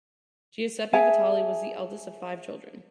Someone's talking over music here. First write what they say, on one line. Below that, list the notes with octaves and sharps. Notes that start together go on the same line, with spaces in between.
Giuseppe Vitali was the eldest of five children.
G#4 E5 G#5 A5